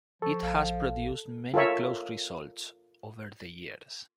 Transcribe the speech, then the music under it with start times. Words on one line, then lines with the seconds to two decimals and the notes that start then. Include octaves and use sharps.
It has produced many close results over the years.
0.22 F3 A4 C#6
0.43 A#1 F5
1.54 F4 A4 A#4 C#5 E5